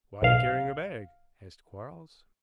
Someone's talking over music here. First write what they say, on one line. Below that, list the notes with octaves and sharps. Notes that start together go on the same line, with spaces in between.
"Why carrying a bag?" asked Quarles.
B1 F5